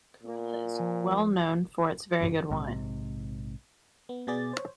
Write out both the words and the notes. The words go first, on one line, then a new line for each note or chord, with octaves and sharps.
Corella is well known for its very good wine.
A#2
F3 G#5
A#1 G#2 C3
B3
B2 B3 G#4 D5 A6
C5 C#5